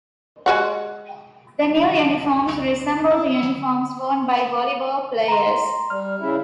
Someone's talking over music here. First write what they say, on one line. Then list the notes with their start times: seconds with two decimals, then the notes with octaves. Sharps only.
The new uniforms resemble the uniforms worn by volleyball players.
0.46 G#3 F#4 F#5
3.11 E4
5.28 A#5 C6
5.90 G3 F6
6.20 C#3 E4